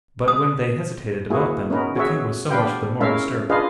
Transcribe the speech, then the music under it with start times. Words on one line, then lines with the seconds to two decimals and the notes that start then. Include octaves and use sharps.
But when they hesitated about them, the king was so much the more disturbed.
0.28 D#6
1.30 A#3 E4 F#4 G#4
1.70 B3 C#4 D#4 A#4 B4
1.96 F#4 G#4 C#5 E5
2.50 B3 D4 G4 B4 F5 G5
3.00 G#3 C#4 E4 A#4 E5 F5
3.49 D4 F4 G#4 B4 D#5 F5